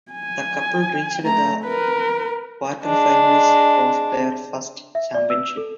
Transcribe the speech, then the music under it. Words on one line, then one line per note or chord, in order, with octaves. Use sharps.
The couple reached the quarterfinals of their first championship.
G#5
A3 A#5
A#4 B4
G#3 D4
E5
D5
E6
A4